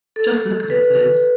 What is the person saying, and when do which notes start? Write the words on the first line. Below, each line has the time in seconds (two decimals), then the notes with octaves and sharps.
Just look at it, Liz.
0.16 A4
0.70 B4